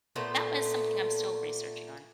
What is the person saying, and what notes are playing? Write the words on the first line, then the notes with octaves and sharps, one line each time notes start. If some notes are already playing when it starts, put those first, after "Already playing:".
that was something I'm still researching on.
A#2 A3 B3 C5